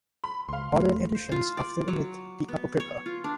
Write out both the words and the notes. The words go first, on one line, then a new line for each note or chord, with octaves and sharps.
Modern editions often omit the Apocrypha.
B5
C#2 F5 C6
E1 A3
C5
F4
D5
F#3
B3
C#5
F4
D4